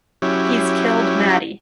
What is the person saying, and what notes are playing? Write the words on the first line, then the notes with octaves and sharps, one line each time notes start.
He's killed Maddie.
F#3 C#4 E4 G4